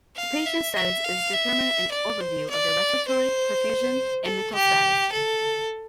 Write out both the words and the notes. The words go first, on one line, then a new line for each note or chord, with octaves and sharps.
The patient's status is determined an overview of their respiratory, perfusion, and mental status.
F5
E5
E5
F5
E5
D5
C5
D5
C5
A4
G4
A4